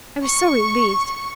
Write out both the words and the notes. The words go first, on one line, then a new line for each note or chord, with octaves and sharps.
I was so relieved!
C#6